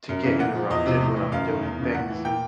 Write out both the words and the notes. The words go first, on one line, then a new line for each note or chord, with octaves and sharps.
to get interrupted when I'm doing things,
F#2
C#3 E3
A#2 F#5
F3
E2 D#5
C3 F3
A2
E3
F#2 F5
D#3
E2
C#3 E3
A2 F#5
E3
A#2 G5